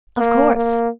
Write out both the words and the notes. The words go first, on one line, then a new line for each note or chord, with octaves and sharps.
'Of course!
A#3
A#3